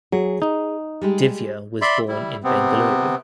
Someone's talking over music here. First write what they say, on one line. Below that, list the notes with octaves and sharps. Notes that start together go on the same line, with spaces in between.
Divya was born in Bengaluru.
F#3 G#4
D#4
G3 G#3 G4
D5 E5 B5 C6
G3 E4
C3 B3 C4